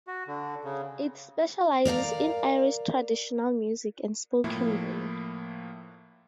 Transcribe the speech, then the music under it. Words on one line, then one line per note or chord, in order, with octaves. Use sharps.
It specialises in Irish traditional music and spoken word.
F#4
D3
C#3
A#4 D5 F5 A#5
A2 F3 A#3 E4